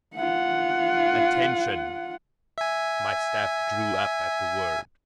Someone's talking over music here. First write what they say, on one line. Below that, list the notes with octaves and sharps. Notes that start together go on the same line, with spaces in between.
"Attention!" My staff drew up at the word.
F4 F#5
E5 G#5